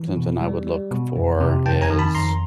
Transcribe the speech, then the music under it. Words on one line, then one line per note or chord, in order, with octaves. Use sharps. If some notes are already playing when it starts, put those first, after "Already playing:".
something I would look for is
Already playing: E3
B2
G3
G3
B2
F2
C3
F2 G5 A5
G#5 A#5
D#3
A5 B5
F2 A#5 C6